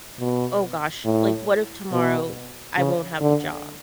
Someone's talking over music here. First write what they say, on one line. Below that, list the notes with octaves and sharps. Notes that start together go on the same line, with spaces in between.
oh gosh, like, what if tomorrow, I won't have a job?
B2
A2
B2
C#3
D3